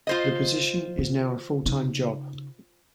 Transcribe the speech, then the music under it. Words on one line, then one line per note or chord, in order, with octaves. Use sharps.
The position is now a full-time job.
F4 C5 D#5
D3
C#3 D#4